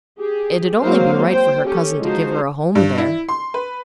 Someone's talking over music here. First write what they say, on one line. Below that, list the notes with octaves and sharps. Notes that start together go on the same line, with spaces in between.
"It'd only be right for her cousin to give her a home there."
G4 G#4
F#3 G#3 A#3 C4 C5 F5
C5 G5
C#4 G4 A4
F3 G#3 D#4 F#4 C5
G2
E4
C6
B4